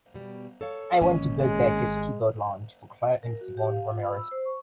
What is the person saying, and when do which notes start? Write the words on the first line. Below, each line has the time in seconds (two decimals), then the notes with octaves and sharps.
I want to book Baker's Keyboard Lounge for clare and yvonne ramirez.
0.14 B2 G3
0.61 A4 C#5 F5
1.01 G#1 A#3 C#4 D#5
1.40 G#3
3.23 A#4
3.41 F#4
3.57 G4
3.70 F5
3.91 F4
4.03 B5
4.16 E6
4.31 C5
4.45 C#6